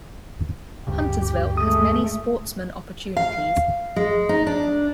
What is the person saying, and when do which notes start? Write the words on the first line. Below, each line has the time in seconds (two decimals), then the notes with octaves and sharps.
Huntersville has many sportsman opportunities.
0.87 D2 G2 C#3 G4
1.57 G#3 A3 D#6
3.17 F5
3.96 G#3
4.29 D#4
4.47 D4